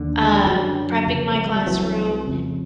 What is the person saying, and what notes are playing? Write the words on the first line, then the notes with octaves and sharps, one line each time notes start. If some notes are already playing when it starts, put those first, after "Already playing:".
uh, prepping my classroom,
Already playing: D#2 D3
G#3
G3
F#2 D3 E3 F#3
F2 C#3
A3
G#3
G3
C2 C3 E3 F#3
F2 C#3